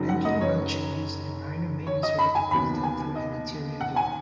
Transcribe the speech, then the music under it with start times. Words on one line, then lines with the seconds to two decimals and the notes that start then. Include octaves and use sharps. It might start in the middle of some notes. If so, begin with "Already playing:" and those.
Engine oil changes and minor maintenance work is done through an interior door.
Already playing: F#1 F#2 F#3 D#4
0.09 F#5
0.25 D#5
0.41 C#5
1.87 C#5
2.03 D#5
2.18 B5
2.35 G#5
2.51 D#2 D#3 F#3 B3 B5
2.84 G#5
3.16 D#5
3.81 F#5
3.96 G#5